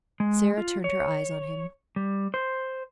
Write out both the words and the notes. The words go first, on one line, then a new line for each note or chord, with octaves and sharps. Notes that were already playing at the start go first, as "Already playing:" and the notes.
Sara turned her eyes on him.
G#3
F4
C#5
G3
C5